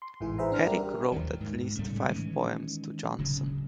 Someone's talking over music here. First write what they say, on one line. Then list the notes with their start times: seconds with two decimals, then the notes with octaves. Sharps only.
Herrick wrote at least five poems to Jonson.
0.02 C6
0.20 A1 G#2 E3 E4 G#4
0.38 G#4 B4 C5 E5 F#5 A#5
0.52 D4 F6
0.66 G3 D4 G4 A#4
1.12 D#2 D#3 F#3
1.41 G#2
1.79 A2 C#3 G3 A3
2.10 D#3 E3 G#3 C#4
3.18 D1 C#3 F#3